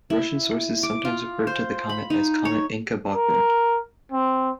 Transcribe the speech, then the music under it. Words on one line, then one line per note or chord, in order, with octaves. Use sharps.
Russian sources sometimes referred to the comet as Comet Encke-Backlund.
E4
D6
F4
C5
B5
D#4
C#5
A#4
C4